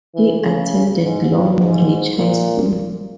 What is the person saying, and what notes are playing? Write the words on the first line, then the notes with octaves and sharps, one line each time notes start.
He attended Long Reach High School.
E3
C#3
G#2
G2
G#2
A#2